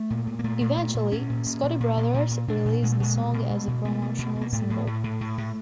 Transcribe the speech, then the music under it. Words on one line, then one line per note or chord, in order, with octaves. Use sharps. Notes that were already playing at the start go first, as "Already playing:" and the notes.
Eventually, Scotti Brothers released the song as a promotional single.
Already playing: A3
A#2
A#2
A#3
A#2 A3
A#2
A#2
A#2
A#2 C#4
A#2
A#2
A#2
A#2
A#2
A#2
A#2
A#2 D4
A#2
A#2 G#3
A3
A#2 G#3
B2
B2
B2
B2
B2 A3
B2
B2
B2
A#3
A2 A3
A2
A2
A2
A2
A2